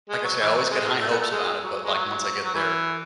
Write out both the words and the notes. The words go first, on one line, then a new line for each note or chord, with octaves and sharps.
like I say, I always get high hopes about it, but, like, once I get there,
G#3
F#3
E3
F#3
G#3
A3
B3
A3
G#3
F#3
G#3
F#3
F#3
E3